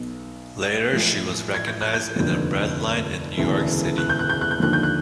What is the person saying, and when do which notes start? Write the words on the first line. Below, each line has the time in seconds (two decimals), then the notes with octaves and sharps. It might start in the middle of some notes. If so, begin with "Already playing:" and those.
Later she was recognized in a bread line in New York City.
Already playing: B1 B2
0.93 A1 A2 F3
1.54 G#6
1.67 G6
1.81 F#6
1.93 G6
2.16 F1 D#2 D3 F3
3.37 E1 D2 C#3 E3
3.98 F#6
4.09 G6
4.19 F#6
4.30 G6
4.41 F#6
4.51 G6
4.60 D#2 D3 F3 F#6
4.73 G6
4.83 F#6